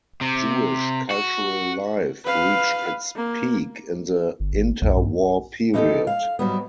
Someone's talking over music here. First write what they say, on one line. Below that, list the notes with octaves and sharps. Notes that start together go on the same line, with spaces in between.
Jewish cultural life reached its peak in the inter-war period.
C3
F#4
B4 F5
A#3
G1
G#1
A#1 E2
G2
E3 A3 D#4 F#4 G4 A4
F5
G#2 F#3 G3 B3